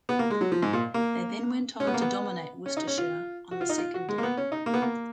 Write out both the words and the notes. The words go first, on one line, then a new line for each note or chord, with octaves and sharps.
They then went on to dominate Worcestershire on the second day.
B3
A#3
G#3
F#3
F3
G#2
A#2
A#3
C#4
B3
A#3
B3
C#4
D#4
C#4
F4
F#4
F4
D#4
F4
F#4
G#3
A#3
B3
C#4
D#4
A#3
B3
A#3